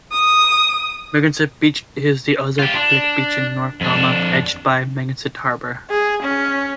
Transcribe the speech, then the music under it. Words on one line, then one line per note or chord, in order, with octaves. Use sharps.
Megansett Beach is the other public beach in North Falmouth, edged by Megansett Harbor.
D#6
F4 G4
D4
F2 D4
G#4
C#4